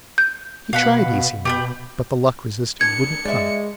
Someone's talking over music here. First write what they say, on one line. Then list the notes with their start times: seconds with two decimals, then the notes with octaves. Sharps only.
He tried easy now; but the luck resisted; wouldn't come.
0.18 G6
0.73 B2 F5 F#5 B5
1.45 B2 G4 B5 G6
2.81 D4 G#6 C#7
3.25 G#3 D5 E5